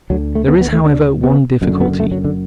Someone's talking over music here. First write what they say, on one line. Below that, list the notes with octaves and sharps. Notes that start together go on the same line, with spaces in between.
There is, however, one difficulty.
D2 D3 F#3
A3
B3
B3
A3
D4
B3
F#1 F#2 D3
B3
A3
F#3
D3